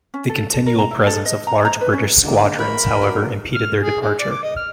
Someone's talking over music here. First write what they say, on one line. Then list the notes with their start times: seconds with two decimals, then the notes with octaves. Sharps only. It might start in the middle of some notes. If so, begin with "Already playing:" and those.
The continual presence of large British squadrons, however, impeded their departure.
0.14 C#4
0.29 A4
0.54 A4
0.66 A#4
0.79 A#5
0.91 E4
1.07 A4
1.25 D#5
1.47 A#5
1.65 A#5
1.81 B4
1.93 C#4
2.23 D3 G#3 A#3
2.59 E3 A#4 C#5 B5
3.02 F#3 D4
3.55 F6
3.82 G#4
4.02 G#3
4.19 D5
4.31 D6
4.43 D#5
4.56 F6